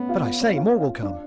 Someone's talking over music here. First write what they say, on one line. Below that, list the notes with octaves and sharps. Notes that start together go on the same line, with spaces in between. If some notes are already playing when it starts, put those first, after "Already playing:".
But I say, more will come!
Already playing: A3 B3 C#4
F4
F4
C#4
F4
C#4
F4
D4